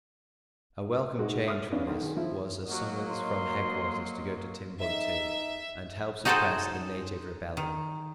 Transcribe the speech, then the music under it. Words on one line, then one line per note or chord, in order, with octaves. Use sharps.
A welcome change from this was a summons from headquarters to go to Timbuctoo, and help suppress a native rebellion.
G#3 D#4 F#4
E5 D#6 F6
B3 C#4 D4 F5
B1 D#3
D#3 G#4
F3 E4
F#3 A#3 F#4 D#5
C6
D#4 E5
D#4 F#4 G#4 A4 C5 G5
D#3